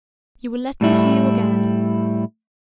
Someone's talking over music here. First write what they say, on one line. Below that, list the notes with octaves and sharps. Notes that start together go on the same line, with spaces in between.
You will let me see you again?
A2 G3 E4